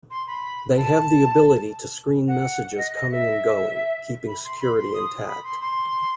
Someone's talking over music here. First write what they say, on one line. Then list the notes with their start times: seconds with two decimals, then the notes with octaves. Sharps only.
They have the ability to screen messages coming and going keeping security intact.
0.10 C6
0.27 B5
0.77 A5
2.28 F#5
2.77 D#5
2.94 D#5
3.11 E5
4.27 B5
4.44 C6
4.60 B5
4.77 C6
4.94 D#6
5.28 B5
5.44 C6
5.61 C6